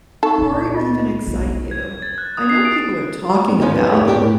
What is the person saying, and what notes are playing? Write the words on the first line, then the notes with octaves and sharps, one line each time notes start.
or even excite you? I know people are talking about
D#4 A4 C#6
C#2 A#2
F4 D#5
B1 B2
G#6
A6
F#6
D#6
C7
D7
D#3 F3 F#3 C#4 D#4 F4
B4
A3 G4 A#4 C#5
E2 A#2 A#3 D4 G4 G5
A2